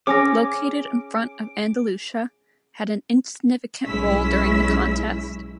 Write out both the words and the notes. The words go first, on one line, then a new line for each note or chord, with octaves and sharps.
Located in the front of Andalusia, had an insignificant role during the contest.
C#4 G#4 G#5 D6 A#6
B1 G#3 C#4 E4 E6 B6